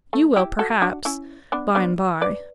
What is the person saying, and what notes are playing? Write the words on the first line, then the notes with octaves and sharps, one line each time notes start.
You will, perhaps--bye and bye.
A3
E4 G4
F#4 A4
D4 F#4
C#4 E4
B3 D4
B3 D4
B4 D5